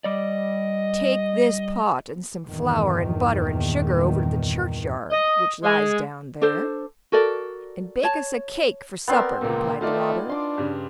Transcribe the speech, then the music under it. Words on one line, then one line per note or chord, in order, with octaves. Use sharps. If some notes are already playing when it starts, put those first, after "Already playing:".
'Take this pot and some flour and butter and sugar over to the churchyard which lies down there, and bake us a cake for supper,' replied the robber.
G3 D5 D#5
E2 G2 A#2 D#3
D#5
G#3
D4 A4 C5
F#4 A4 A#4 D5
C#5 A5
B3 C4 A#4 D5 B5 C6
C#2 A#2 A#3
A3 D#4 F4 D5
D4 C6 D6
G2 C#3